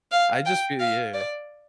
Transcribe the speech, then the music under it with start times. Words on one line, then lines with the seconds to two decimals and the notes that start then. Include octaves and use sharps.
I just feel yeah.
0.12 F5
0.46 G5
0.80 F5
1.14 D5